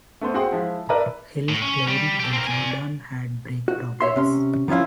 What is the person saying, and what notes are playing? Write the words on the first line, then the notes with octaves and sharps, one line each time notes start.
Hill claimed the Jordan had brake problems.
A3 B3 C5
C4 F#4 G#4 F#5 G5 C6
F3 G#3 E4
A#4 B4 D5 E5 A5 A#5
A2
C#4
G3
G4 A4
C4 A#4
D5 G#5
F#4
C#5 E5 C6
C3 C#4 C6
D#3 F3 C#4 E4 F4